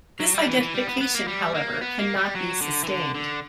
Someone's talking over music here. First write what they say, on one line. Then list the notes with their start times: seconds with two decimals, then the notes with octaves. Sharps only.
This identification, however, cannot be sustained.
0.20 F#3
0.34 G3
0.47 E3
0.60 E3
0.74 G3
0.87 B3
1.01 B3
1.15 A#3
1.28 G3
1.54 A#3
1.81 B3
1.99 A#3
2.17 G3
2.35 F#3
2.61 D3
2.84 E3
2.88 D3
3.15 D3